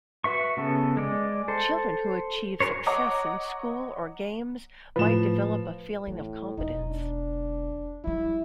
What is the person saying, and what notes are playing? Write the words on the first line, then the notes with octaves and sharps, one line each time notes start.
Children who achieve success in school or games might develop a feeling of competence.
F#4 B4 E5 C#6
C#3 B3 A4
G#3 D5
A4 C5
F#4 G#4 A#4 C5 C#5
C#5 D#5 F#5 A#5 D6
A2 F3 B4 E7
A2 E3
E1 F#3 D#4
D4
F3 G3 E4